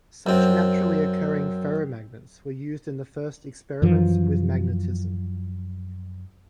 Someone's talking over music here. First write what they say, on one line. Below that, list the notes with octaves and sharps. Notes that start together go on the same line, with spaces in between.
Such naturally occurring ferromagnets were used in the first experiments with magnetism.
F#2 C4
F#2 E3 F3